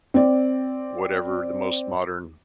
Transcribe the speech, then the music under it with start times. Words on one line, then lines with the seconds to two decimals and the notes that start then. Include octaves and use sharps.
whatever the most modern,
0.14 C4 D5